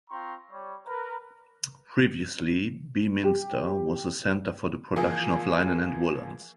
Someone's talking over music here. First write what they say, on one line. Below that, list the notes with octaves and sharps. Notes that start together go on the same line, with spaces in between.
Previously Beaminster was a centre for the production of linen and woollens.
C4 F4 G5 A#5 C6 C#6
G3 C#5
A#4 B4 A#5
G4
E3 F3 A#3 G#4